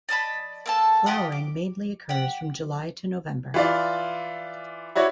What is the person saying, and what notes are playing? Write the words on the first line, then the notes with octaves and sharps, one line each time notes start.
Flowering mainly occurs from July to November.
D5 D#5 A5 B5
A#3 A4 A5
F4 G4 D#5 F#5
D6
G4 F#5
E3 F4 D5
E4 F#4 C#5 D5